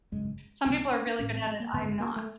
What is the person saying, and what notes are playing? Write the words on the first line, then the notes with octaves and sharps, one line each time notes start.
some people are really good at it, I'm not,
G#1 F#2 C#3 G#3
C#2 C3 D4
D4
C#4
D4
A1 A2 C#4
C4
A3
A#3
G#1 F#2 D3 B3
A#3
A3